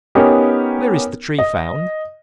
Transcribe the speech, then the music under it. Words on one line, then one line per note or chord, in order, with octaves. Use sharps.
Where is the Tree found?
B3 C#4 D#4 G4 A#4
D#5